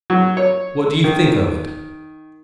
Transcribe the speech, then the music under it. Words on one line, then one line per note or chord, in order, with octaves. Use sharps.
What do you think of it?'
F#3
C#5
D#3